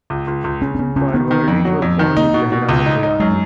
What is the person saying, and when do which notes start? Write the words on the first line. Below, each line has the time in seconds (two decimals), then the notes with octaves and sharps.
Farvardin was born in Tehran, Iran.
0.10 C#2
0.27 C#2
0.44 C#2
0.62 C#3 C#4
0.75 C#4
0.79 C#3 B3
0.96 C#2 C#4
1.14 D#3 B3
1.31 D#3
1.48 F2
1.65 F#3
1.82 F2
1.99 D#3
2.17 A#3 D#4
2.34 B2
2.52 B2
2.69 C#2
2.86 D#4
3.03 D#4
3.20 F#2 G#3